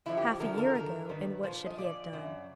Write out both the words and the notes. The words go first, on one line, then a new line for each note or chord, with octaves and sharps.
Half a year ago, and what should he have done?
F2 D3 F3 E4
G4
F2 D3 F3 A#4
A#4
G2 D#3 A#4
G2 D#3 B4
A#2 F3 C5
D#5
A#2 F3 D5
F#2 C#3